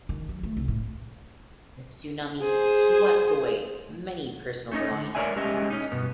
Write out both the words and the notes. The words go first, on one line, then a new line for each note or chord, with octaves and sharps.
The tsunami swept away many personal belongings and items.
D#3
F#3
A3
C2
A2
G#4 C5
A3 C#4 D#4 D#5
D3
A#4 B4 C#5 D5 E5 G#5
G#3 C#4 G4 D#5 E5
C#4 D#4
G2 B2 B3